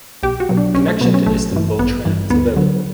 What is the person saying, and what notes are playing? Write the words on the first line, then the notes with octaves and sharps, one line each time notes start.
Connection to Istanbul Tram is available.
B1 G4
F#4
B2 F#3
D4
B1 C#4
A3
B2 F#3 B3
C#4
A1 A3
G2 E3
A1 B3
G2 E3
D2 B3
D3 F#3